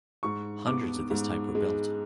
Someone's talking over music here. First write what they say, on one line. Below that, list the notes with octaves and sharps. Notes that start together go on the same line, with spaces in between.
Hundreds of this type were built.
G#2 C#6
B3 D6
G#2
G#3